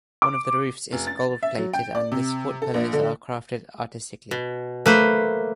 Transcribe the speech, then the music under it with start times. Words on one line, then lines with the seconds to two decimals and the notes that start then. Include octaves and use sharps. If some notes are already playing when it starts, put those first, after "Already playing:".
One of the roofs is gold plated and the support pillars are crafted artistically.
0.22 D6
0.92 F1
1.07 A6
1.43 E5
1.58 F#3
1.73 G5
1.95 D5
2.12 C3
2.62 A4
2.74 A#1
2.93 D3
4.31 B2
4.86 A3 A#3 B4 C5